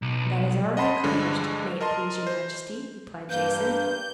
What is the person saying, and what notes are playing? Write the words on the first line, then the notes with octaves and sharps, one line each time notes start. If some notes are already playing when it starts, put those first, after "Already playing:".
"That is already accomplished, may it please your majesty," replied Jason.
B1
D#5 F#5 A5 B5 C6
G2 D3 F3 G#3
A#4 D#5 A5 C6
C5
G2 A#3 B4 G6